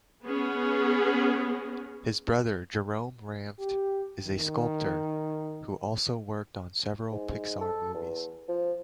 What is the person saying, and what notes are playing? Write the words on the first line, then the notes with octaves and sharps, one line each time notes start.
His brother, Jerome Ranft, is a sculptor who also worked on several Pixar movies.
B3 C#4 G#4
G4
D#3
G#2
A4
E2
F3